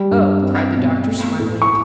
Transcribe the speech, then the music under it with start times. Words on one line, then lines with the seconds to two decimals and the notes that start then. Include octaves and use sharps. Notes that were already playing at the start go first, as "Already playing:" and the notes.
"Oh," cried the doctor, smiling.
Already playing: G3
0.11 G2
0.43 C4
0.75 B2
1.07 A3
1.39 A2
1.62 C#6